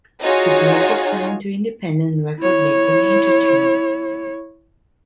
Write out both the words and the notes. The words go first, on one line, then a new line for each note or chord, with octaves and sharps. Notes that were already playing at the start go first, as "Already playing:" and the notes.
The group is signed to independent record label Ninja Tune.
D#4 F4 F#4 G#4 C#5
E4 C#5